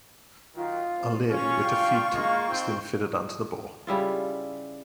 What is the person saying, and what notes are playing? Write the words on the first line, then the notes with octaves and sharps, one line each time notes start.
A lid with a "feed tube" is then fitted onto the bowl.
D#3 F#3 F4
C2
C#4 F4 C#6
D4 F5 G5
G#3 A#3
C4 D#4 G5
C#3 G3 E4 F4